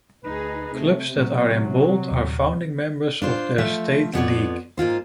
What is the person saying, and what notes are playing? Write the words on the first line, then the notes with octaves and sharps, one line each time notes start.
Clubs that are in bold are founding members of their state league.
D2 D#4 G#4 B4
C3 A3
A#2 F#3 A3
D#2 A#2
D4 F4 C5
F3 A3 E5
F2 F3 B3 G4 C#5 D5
G#2 A#3 F4 C5